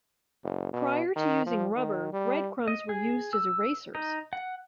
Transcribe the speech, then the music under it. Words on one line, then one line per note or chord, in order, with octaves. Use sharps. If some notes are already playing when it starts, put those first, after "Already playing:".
Prior to using rubber, breadcrumbs were used as erasers.
F#1
B2
D#3
F3
D#3
G3
D#5
G#4
E6
D#4
F#5